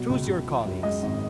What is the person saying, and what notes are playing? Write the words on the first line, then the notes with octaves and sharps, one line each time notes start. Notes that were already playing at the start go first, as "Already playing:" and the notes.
"Choose your colleagues."
Already playing: B2 F#3
C#2
C#2
F3
F#2
G#3 D#5
G#1